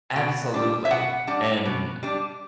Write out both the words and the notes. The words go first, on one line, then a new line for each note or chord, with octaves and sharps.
absolutely, and
B2
G3 D4
E5
B2 F#5
G3 D4
B2
G3 D4